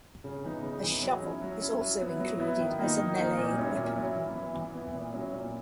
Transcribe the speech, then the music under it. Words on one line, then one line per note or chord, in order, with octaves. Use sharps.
A shovel is also included as a melee weapon.
C#3
E3 B3 D#4
C#3
E3 B3 D#4
F#3
C#4 E4
F#3
C#4 E4
F#3
B3 E4
F#3
B3 E4
D#3
A#3 D#4
D#3
A#3 D#4
A#2
F#3 C#4 E4
A#2
F#3 C#4 E4
E3
B3 E4
E3
B3 E4
A#2
F#3 C#4 E4
A#2